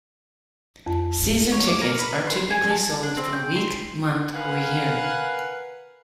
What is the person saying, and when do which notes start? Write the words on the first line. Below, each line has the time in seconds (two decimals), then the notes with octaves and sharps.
Season tickets are typically sold for a week, month or year.
0.86 F2
1.52 C#5
1.67 D6
1.81 A#4
1.99 B4
2.27 C6
2.50 G#5
2.70 A5
3.03 D4
3.17 C4
3.33 G5
3.56 C6
4.34 A#4 B4 F5 F#5 G#5